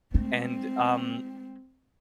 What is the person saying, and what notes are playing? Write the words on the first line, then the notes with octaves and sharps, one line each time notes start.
and, um,
G#3 A3 C4